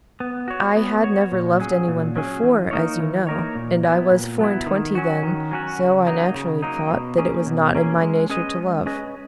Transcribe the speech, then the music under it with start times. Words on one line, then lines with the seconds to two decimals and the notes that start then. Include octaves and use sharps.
I had never loved any one before, as you know, and I was four-and-twenty then--so I naturally thought that it was not in my nature to love.
0.20 B3
0.48 F#4 C#5
0.76 B3
1.04 F#4 C#5
1.32 A#2
1.60 F#3 C#4 G#4
1.88 A#2
2.16 F#3 C#4 G#4
2.43 E3
2.71 A#3 D#4 A#4 C#5
2.99 E3
3.27 A#3 D#4 A#4 C#5
3.55 A#2
3.83 F#3 B3 E4
4.11 A#2
4.39 F#3 B3 E4
4.66 D#3
4.95 F#3 C#4 F#4
5.23 D#3
5.51 F#3 C#4 F#4
5.79 C#3
6.07 F#3 A#3 D#4
6.34 C#3
6.63 F#3 A#3 D#4
6.90 B2
7.18 A#3 C#4 G#4
7.46 B2
7.75 A#3 C#4 G#4
8.02 G#3
8.30 C#4 G#4 B4 D#5
8.58 G#3
8.86 C#4 G#4 B4 D#5